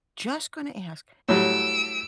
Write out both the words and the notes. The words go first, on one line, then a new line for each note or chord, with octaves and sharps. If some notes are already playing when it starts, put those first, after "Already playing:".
Just gonna ask.
A2 F#3 G3 E6 D7